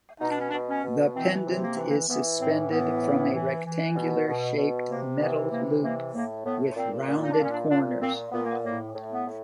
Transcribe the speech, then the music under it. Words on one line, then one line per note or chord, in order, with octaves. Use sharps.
The pendant is suspended from a rectangular shaped metal loop with rounded corners.
B2 D#4
D4
C#4
D4
B2
C#4
B2
E3 C4
C3
A#3
E3
A#3
E3 B3
A2 C4
E3 B3
A2
E3
E3
B2
B2
B2
C3 A#3
E3 B3
C3 A#3
E3 A#3
A2 A#3
A2 B3
A#2 C4
A#2
D#4
D4
A#2 C#4
D4
A#2 D4
A#2 C4
A#2 B3
A#3
B3
A2 A#3
A2
B3
A2